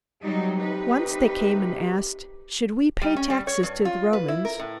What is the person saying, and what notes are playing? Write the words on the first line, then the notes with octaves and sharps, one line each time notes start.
Once they came and asked, "Should we pay taxes to the Romans?"
D2 C3 F#3 G3 D#4 G4
D#4 B4
G3
C#4
G3
C#5
G2
F4
B4
E4
A#4
A2